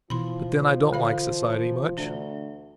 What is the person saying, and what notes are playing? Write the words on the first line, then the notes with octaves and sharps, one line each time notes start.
But then, I don't like society--much.
B2 E3 F3 F4 C5 B5 C6
D3 F5 B5
D2 D4